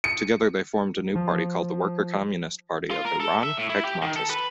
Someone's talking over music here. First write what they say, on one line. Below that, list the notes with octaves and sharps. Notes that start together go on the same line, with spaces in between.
Together they formed a new party called the Worker-Communist Party of Iran-Hekmatist.
C#7
F3
F4
A#4
A4
E5
A2
E4
G4
D#3
A4
B4